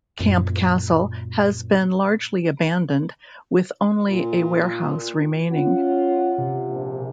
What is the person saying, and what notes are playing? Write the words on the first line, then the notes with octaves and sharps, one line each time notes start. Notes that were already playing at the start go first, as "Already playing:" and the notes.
Camp Castle has been largely abandoned, with only a warehouse remaining.
F#2 A#2
A#2
C#4 F4 F#5
C3
A#1